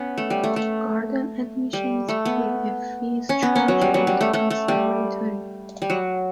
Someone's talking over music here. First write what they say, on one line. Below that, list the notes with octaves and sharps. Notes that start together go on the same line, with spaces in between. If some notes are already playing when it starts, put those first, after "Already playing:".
Garden admission is free; a fee is charged for the conservatory.
Already playing: B3 C#4
A3
G3
A3
A3
G3
A3
B3
C#4
B3
C#4
F#3
G3
F#3
G3
A3
A3
A3
G3
G3
F#3